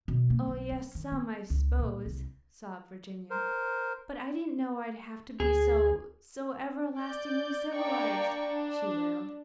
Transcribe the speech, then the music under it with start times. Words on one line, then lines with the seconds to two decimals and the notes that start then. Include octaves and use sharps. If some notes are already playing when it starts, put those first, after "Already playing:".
"Oh, yes, some, I s'pose," sobbed Virginia, "but I didn't know I'd have to be so--so--everlastingly--civilised!" she wailed.
0.08 B2
0.30 A#3
0.48 B1
0.72 C#4
0.95 D#3
1.12 B3
1.50 C#2
1.79 A#2
2.06 C2
3.30 A#4 C5
5.40 D2 G#4
6.98 D5 G6
7.74 A#3 D4 D5 G5 A#5 C#6
8.45 D4